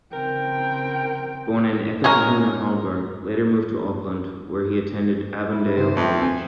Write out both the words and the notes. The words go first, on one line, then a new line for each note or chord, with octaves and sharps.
Born in Eketahuna, Halberg later moved to Auckland, where he attended Avondale College.
C#3 C4 A#4 G5
G#3 C#4 F#4 A#4
E4
C3 D#3 C5
F2 A3 B4 G5
C4 G#5